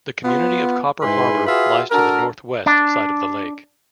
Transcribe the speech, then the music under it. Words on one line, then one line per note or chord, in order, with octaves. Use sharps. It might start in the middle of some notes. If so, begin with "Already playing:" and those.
The community of Copper Harbor lies to the north west side of the lake.
B3 F4
G#2 G#3 E4 B4 G#5 C6
F4 F#4 G#4 B4 E5
D4 F#4 A4 A#4
D4